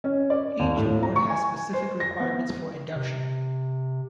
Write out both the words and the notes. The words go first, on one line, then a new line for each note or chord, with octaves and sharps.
Each award has specific requirements for induction.
C#4
D5
D#2
A2
A#5
C#6
G#5
C5
A#6
B3
C3